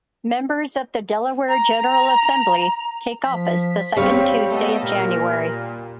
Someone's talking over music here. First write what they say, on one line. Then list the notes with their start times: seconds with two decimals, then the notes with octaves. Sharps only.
Members of the Delaware General Assembly take office the second Tuesday of January.
1.49 A#5
3.25 F3 B6
3.97 G3 C4 C#5 F5
4.50 A3 B3 A4 D#5
4.82 A#2 A#4